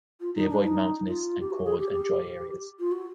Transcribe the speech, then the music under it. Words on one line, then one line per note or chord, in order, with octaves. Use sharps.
They avoid mountainous and cold and dry areas.
F4
D#4
D4
E4
D#4
F4
G4
F#4
G#4
G4
G4
F4
F#4